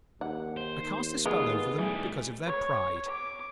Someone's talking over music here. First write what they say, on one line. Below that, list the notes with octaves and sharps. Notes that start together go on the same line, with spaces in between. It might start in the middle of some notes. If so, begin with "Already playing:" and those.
I cast a spell over them because of their pride.'
D#2 F#5
C5
D#2
G#3 B3 F4 B4
B1 E3 G3 A3
C#5
D6